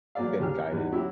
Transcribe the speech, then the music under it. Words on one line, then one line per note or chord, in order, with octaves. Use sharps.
been guided.
F#3 A#3 G#4 D5 F5
A1 D#2 G4 G#4 F6
E2 G3 B3 D#4
F#3 E4 F#4 G4